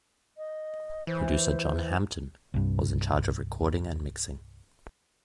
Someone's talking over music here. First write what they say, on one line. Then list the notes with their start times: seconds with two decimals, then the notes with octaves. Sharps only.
Producer, John Hampton, was in charge of the recording and mixing.
0.37 D#5
1.07 E3 C5
2.54 C2 G2